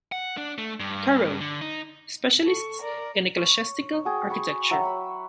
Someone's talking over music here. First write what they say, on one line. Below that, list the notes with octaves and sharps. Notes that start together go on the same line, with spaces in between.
Caroe, specialists in ecclesiastical architecture.
F#5
D4
A3
G2
D3
D#4
A4 C#6
A#4 D5
C#5
F#4 G#4 G5
B5 C#6
F#3 E5 F#5 G5
B5